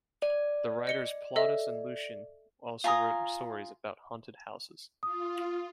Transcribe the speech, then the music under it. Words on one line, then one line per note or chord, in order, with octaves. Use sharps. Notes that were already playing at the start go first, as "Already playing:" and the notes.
The writers Plautus and Lucian also wrote stories about haunted houses.
D5
D#5 C#7 G7
A4 D#5 E5
F4 G#5 A#5 D#6
F4 D#6